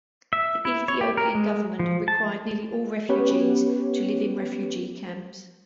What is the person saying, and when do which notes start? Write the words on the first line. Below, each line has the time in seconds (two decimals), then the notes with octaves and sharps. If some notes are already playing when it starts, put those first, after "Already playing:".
The Ethiopian government required nearly all refugees to live in refugee camps.
0.33 E5
0.65 E4
0.88 C#5
1.01 G4
1.17 A#4
1.35 G#3
1.79 F3
2.08 A5
3.09 B3 C#4 G4 B4 C#5